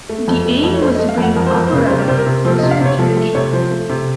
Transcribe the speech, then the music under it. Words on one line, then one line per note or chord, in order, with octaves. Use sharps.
The aim was to bring operetta closer to the children.
A3
F2
A3
F2
C#5
A3 C5
D#5
A3
F5
F2 F#5
F2 A#4
C5
F2 A#4
C5
C#3 A#4
C3 C5
A#4
C3 C5
A#4
C3
F3 C5
D#5
C3
F5
C3 C#5
F3 A4
A3 A4
C3 C#5
F3 C5
A3
C3